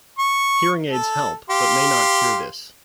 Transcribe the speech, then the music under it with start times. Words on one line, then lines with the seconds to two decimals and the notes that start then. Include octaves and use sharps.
Hearing aids help, but may not cure this.
0.18 C#6
0.90 A4
1.50 G4 F5 C6